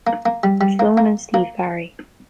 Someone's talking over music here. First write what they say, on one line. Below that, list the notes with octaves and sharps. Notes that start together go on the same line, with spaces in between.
Sloan and Steve Barri.
A#3
A#3
G3
G3
A#3
A#3
A#3